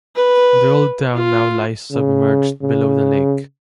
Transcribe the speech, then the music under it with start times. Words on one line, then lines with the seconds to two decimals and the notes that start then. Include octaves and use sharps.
The old town now lies submerged below the lake.
0.16 B4
1.14 F4
1.91 C#3
2.62 C#3